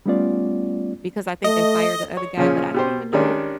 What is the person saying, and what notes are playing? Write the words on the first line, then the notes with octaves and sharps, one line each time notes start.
because I think they fired the other guy, but I didn't even know
G3 A3 B3 C#4 F4 D5
A3 D#5
C#5
A#2 C#3 F3 C#4
B2 G4 C5
D#3 G3 G#3 C#4 D4